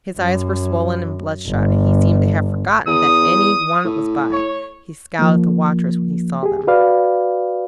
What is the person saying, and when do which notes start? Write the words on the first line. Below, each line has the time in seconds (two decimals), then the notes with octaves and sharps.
His eyes were swollen and bloodshot, and he seemed to have forgotten that any one was by; he scowled at the watchers when he saw them.
0.19 F#2
1.49 G1
2.87 E2 D#6
3.84 A2
4.32 C#5
5.19 F3 A#3
6.43 G4 G#4
6.67 F#4 B4 D5 F5